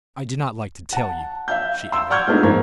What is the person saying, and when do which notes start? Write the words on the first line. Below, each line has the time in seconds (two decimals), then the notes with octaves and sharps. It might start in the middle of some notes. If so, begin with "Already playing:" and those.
"I do not like to tell you," she added.
0.93 F#5 A5
1.48 E5 F5 G6
1.92 C6 E6
2.10 D5 F#5 C#6 F6 G6 G#6
2.27 G#3 A3 B3 D4 D#4 F4
2.43 G#2 F3 A#4 G#6